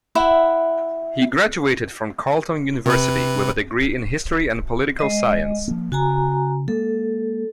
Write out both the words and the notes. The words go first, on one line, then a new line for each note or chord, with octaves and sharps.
He graduated from Carleton University, with a degree in History and Political Science.
E4 E5 F#5
C3 B4
G#3 D#5
F3 A#3
C#3 F#4 G#5 A#5
G#3 A#3 A4